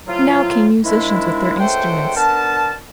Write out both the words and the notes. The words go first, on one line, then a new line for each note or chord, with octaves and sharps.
Now came musicians with their instruments.
A2 F3 F#3 F4
D#3 F3 G#3 D4 E4
C#2 A3 C5 F#5 G5
B3 D4 A#4 A5